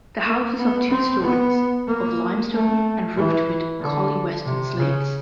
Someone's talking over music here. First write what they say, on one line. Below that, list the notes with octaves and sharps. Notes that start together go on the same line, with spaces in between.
The house is of two stories, of limestone and roofed with Collyweston slates.
A#3
B3
C4
B3
A#3
A3
E3
D3
C3
C#3